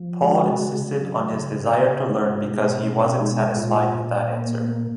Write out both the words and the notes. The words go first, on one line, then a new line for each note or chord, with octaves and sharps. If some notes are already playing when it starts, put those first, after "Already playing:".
Paul insisted on his desire to learn because he wasn’t satisfied with that answer.
Already playing: F3
G#3 F#4
C#3
F#3
C#3
C#3
C#4
G#3 D#4
G#4
F#4
F4
B2 D#4
B2 C#4
C#4
G#3 D#4
A#2 F4
A#2
A#3
A#3